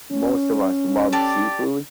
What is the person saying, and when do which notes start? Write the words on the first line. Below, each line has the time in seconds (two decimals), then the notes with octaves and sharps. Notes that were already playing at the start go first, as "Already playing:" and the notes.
most of us love seafood,
0.12 C#4
1.12 G4 A4 D5